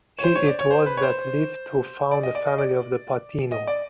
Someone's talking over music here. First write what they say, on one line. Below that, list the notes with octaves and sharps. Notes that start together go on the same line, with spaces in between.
He it was that lived to found the family of the Patino.
C#5
C5
C#5
D5
C#5
C5
B4
C#5
C5
D5
D#5
D5
D#5
D5
D#5
D5